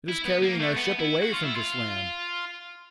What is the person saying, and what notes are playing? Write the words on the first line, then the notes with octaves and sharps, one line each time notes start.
It is carrying our ship away from this land.
E4
B3
A#3
A3
B3
E4
F#4
F4
E4
F4